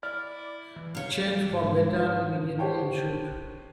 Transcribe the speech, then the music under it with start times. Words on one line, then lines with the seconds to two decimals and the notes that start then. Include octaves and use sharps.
A change for the better immediately ensued.
0.03 E4 D5 F6
0.76 E3
0.95 F#3 G4 C#5 F5
1.49 G#2
2.58 G4 C5 C#5 G5 A5